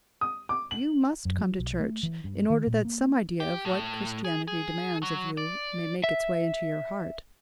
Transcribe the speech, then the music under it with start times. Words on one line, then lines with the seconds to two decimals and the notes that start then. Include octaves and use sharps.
You must come to church, in order that some idea of what Christianity demands of you may make its way into your heart.
0.21 D#6
0.49 D6
0.71 F#7
1.25 F#2
1.39 F#3
1.59 B1
1.80 A3
2.03 E3
2.24 G2
2.50 D#3
2.67 A#2
2.85 A#3
3.40 G4
3.65 A2
4.25 G#4
4.47 G#4
5.03 F#3
5.37 D5
6.04 E5